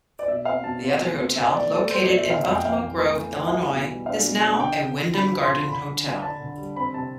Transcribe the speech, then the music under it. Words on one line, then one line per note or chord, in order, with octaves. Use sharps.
The other hotel, located in Buffalo Grove, Illinois is now a Wyndham Garden Hotel.
D5
B2 E5
C4 F5
B2 A5
C4
A3
C4
B2 E5
A3 D5
A3 A4
A3 C5
D5
B2
E5
B2 F5
F2 F5
G5
F2 F5
E3
A3
E3
E3
F5
G3 E5
B2
G3
D4 F5
B2
D4
D3 G5
D3
D3
D3 B5
F3
C6
D3
D3 B5
D3
D4
D4 A5
D3
G3
C4 B5
C3 A5